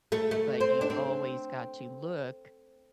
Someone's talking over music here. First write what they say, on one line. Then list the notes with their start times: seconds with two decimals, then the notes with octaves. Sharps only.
But you always got to look
0.12 A3
0.31 A3
0.61 C4
0.81 D4
0.90 C4